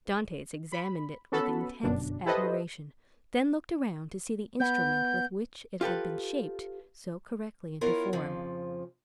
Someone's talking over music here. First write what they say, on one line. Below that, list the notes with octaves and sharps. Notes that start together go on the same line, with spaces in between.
Dantes examined it with intense admiration, then looked around to see the instrument with which it had been shaped so correctly into form.
B5
B3 C#4 F#4 A4 B5
G1 F#2 B2 D4
E4 G4 A4 B4 C5 D#5
B3 G6
F4 G4 A4 B4
B3 E4 F4 A#4 C#5
F2 C#3 F3